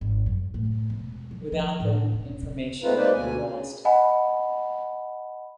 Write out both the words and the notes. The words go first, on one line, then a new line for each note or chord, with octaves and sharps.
Without them, information would be lost.
G#1
F#2
A2
E1
F#3
F3
A2
E1
C#3
G#3 A3 C4 D#4 F4 B4
G#3 A#3 D#4 B4 C5 D5
D2 B2 G#5
C#3
D#5 F#5 G#5 B5